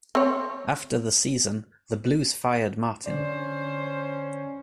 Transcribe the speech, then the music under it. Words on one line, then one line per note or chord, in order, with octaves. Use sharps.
After the season, the Blues fired Martin.
C4 C#5
D3 C#4 C5 D5